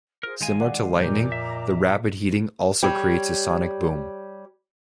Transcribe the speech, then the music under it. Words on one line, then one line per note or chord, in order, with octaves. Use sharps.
Similar to lightning, the rapid heating also creates a sonic boom.
F4 G#4 A#4 C5
D#3 G#3 F5 G#5
D5 F#5
F2 A#2 A#4 D#5 A#5 D6 G6
E5
G3 C#5